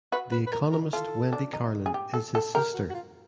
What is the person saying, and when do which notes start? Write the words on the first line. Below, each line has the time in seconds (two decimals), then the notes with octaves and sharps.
The economist Wendy Carlin is his sister.
0.12 F#4 B4
0.32 B4
0.47 B4
0.52 A#4
0.72 A#4
0.93 F4 A4
1.33 D4
1.53 D#4
1.86 G#4
1.94 G4
2.14 A4
2.35 A4
2.55 G4 A#4
2.74 F#4
2.90 F#4
2.94 F4